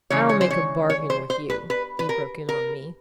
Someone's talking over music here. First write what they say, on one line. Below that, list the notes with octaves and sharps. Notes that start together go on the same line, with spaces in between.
"I'll make a bargain with you," he broke in on me.
C#3 E3 G#3 C#5
C#5
C5
C#5
C#5
C5
C5
B4
B4
B4
A#4
A#4